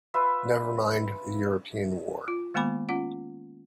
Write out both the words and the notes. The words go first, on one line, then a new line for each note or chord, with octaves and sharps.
Never mind the European war!
F4 B4 E5
F4
D#3 G#3 A#3 B3 B5 D6
C#4 F4 F#5